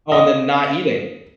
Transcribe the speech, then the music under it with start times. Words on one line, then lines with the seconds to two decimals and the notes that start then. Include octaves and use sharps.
Oh, and then not eating.
0.12 D#5